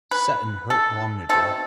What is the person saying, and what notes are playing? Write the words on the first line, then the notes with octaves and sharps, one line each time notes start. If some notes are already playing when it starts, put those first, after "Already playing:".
Seton hurt Longniddry.
B4
A4
B2 A3 C4 A4